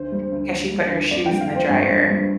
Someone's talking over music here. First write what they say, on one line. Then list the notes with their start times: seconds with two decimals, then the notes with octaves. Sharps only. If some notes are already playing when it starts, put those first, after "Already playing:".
because she put her shoes in the dryer.
Already playing: D2 C5
0.12 G3
0.32 D2
0.52 D2
0.71 G3
0.92 D2
1.11 F2 D5
1.26 G5
1.31 G3
1.41 F5
1.50 F2
1.56 C5
1.70 G2
1.89 G2
2.10 G3